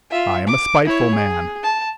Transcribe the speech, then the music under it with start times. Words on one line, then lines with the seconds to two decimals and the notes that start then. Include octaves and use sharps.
I am a spiteful man.
0.11 F4 E5
0.47 D6
0.85 E4 C#5
1.15 G#4
1.63 A5